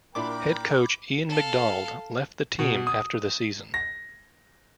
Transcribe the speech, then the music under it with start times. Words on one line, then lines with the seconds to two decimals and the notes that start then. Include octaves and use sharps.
Head coach Ian MacDonald left the team after the season.
0.15 A#2 D4 E4 A#4 G5 B5 D6
1.29 A4 F5
2.59 B2
2.87 D#6
3.74 A#6